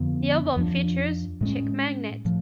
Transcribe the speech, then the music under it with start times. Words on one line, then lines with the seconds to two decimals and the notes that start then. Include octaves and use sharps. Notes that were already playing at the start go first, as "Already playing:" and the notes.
The album features "Chick Magnet".
Already playing: F2 D3 F3 B3
0.56 F2 F3 B3 D4
1.41 A2 G#3 C#4
2.25 A2 F3